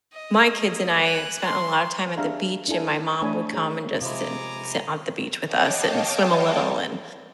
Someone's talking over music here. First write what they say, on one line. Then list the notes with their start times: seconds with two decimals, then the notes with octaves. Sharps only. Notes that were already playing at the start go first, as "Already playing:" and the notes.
my kids and I spent a lot of time at the beach, and my mom would come and just sit sit on the beach with us and swim a little and,
0.13 D#5
1.02 G#5 F#6
1.42 C6
2.17 D4 G4 G#4 E5 F5 A#5
2.68 D4 E4 A4 G#5
3.22 A3 D4 C#5 G#5 B5
3.54 G#4 C#5 A#5
4.01 C3 F3 G#3 E4 C#5 G#5 A#5 D6
5.42 C#5 D#5 F5 G5 A5 D6